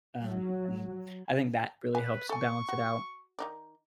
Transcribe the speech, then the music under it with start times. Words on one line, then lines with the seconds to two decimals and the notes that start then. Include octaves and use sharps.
um, and I think that really helps balance it out,
0.24 F#3
1.95 B4 G#5
2.29 A4 G#5 C#6
2.69 F#4
3.39 D#3 D#4 D5